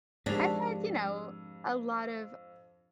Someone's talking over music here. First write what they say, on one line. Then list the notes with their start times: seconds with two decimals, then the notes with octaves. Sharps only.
I've had, you know, a lot of
0.26 F2 G#2 D4 G4 A#4 C5 F7